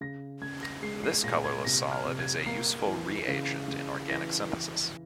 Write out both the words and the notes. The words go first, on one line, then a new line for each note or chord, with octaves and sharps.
This colourless solid is a useful reagent in organic synthesis.
C#3 A#6
C#3 G#6
A#6
G#3 C7
C7
A#2 A#6
G#6
C3 A#6
F6
C3
G#6
A#3 C7
E3
C#3
C#3
E3 A#6
E3